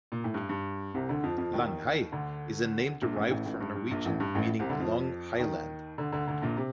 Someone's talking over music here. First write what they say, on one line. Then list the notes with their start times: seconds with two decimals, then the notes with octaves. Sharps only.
Langhei is a name derived from Norwegian meaning "long highland".
0.12 A#2
0.24 A2
0.34 G2
0.49 G2
0.94 C2 C3
1.09 D2 D3
1.23 F2 F3
1.38 F2 F3
1.53 D#2 D#3
2.12 D2 D3
3.02 A#1 A#2
3.16 A1 A2
3.31 A1 A2
3.46 A1 A2
3.60 G2
3.76 G2
3.91 A#1 A#2
4.05 A1 A2
4.20 G2
4.35 A1 A2
4.59 C2 C3
4.69 D2 D3
4.80 F2 F3
5.39 D#2 D#3
5.98 D2 D3
6.12 D2 D3
6.28 D2 D3
6.42 A#1 A#2
6.57 C3